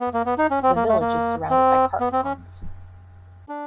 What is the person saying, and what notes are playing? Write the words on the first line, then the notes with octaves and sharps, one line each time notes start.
The village is surrounded by carp ponds.
B3
A#3
B3
D#4
C#4
C4
A#3
A3
A#3
C4
B3
C4
C#4
D4